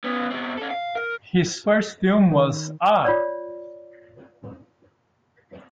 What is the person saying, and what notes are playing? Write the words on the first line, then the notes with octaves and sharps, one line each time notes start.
His first film was Ah!
B3 C#4
B2 C4
C#4 A4
F5
A#4
D#3
F4 C#5 D5